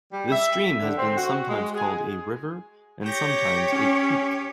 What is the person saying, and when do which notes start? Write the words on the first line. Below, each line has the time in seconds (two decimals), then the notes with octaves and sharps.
The stream has been sometimes called a river and sometimes a creek.
0.12 G3
0.31 E5
0.80 D3
0.97 C4
1.17 F#4
1.47 G#3
1.75 G#4
3.06 G4 C#5 G6 A#6
3.72 C#4